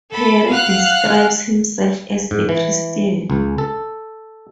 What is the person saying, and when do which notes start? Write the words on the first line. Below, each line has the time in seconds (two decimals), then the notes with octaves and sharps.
Perry describes himself as a Christian.
0.12 A4 B5
0.49 F5 F#5 F6 F#6
2.31 G#2
2.49 E3
3.30 C#2
3.58 A4